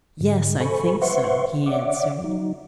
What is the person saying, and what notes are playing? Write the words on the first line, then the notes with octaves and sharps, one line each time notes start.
"Yes, I think so," he answered.
G#2 D3
A4 C5 G#5 B5 C#6
B4 C5 E5 F#5 C6 C#6
C#5 D5 E5 F#5 D6
F#3 D#4